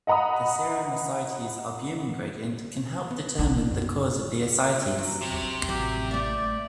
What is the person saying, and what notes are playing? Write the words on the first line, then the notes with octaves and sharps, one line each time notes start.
The serum-ascites albumin gradient can help determine the cause of the ascites.
D#5 F#5 A#5 B5 D#6
B3
B1 D#3
F#2
F#3
C3
A1 F#3 G4
A3 D5 E5